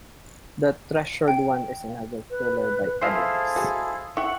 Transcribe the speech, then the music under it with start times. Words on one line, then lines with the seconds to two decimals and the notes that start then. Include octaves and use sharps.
The Treasured One is another thriller by Eddings.
1.28 G5
2.30 B4
3.01 F3 E4 F4 G#4 A4 C5 E5 F5
3.56 G#3 F#4
4.17 E4 F#5 G5 C#6